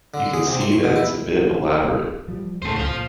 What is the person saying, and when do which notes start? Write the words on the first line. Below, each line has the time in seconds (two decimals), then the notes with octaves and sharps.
You can see that it's a bit elaborate?
0.14 D3
0.33 G#4
0.47 C3
0.61 C6
0.72 C#6
0.84 B2
0.96 E4
2.28 F3 G3
2.62 F2 A2 C#3 A3 C5
2.76 C#2 F#2 C5 F5
2.90 A#2